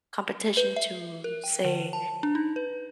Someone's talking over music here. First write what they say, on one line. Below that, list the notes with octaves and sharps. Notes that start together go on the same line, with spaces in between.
competition to say,
B4
E5
A#4
G5
D3
A5
D4
D#4
B4